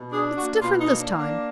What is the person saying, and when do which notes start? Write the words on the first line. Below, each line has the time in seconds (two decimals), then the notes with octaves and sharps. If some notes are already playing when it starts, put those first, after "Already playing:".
It's different this time.
Already playing: B2
0.10 D4 G#4
0.36 A#3 F#4
0.61 B2 F4
0.80 D#4
0.87 A#3
1.00 D4
1.12 A#3
1.18 D4